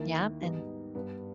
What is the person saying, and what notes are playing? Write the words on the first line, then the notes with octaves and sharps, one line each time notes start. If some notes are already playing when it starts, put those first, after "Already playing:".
Yeah, and
Already playing: D#2 D#3 A#3 E4
G#2 G3 B3 D#4
G2 G3 B3